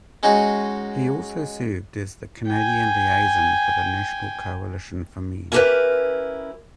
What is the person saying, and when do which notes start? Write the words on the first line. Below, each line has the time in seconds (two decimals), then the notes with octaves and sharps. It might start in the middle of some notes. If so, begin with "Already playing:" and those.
He also served as the Canadian Liaison for the National Coalition for Men.
0.23 G#3 C#4 D#4 F#4 G#4
2.49 G5 G#5
5.52 C#4 E4 G4 G#4 A#4 B4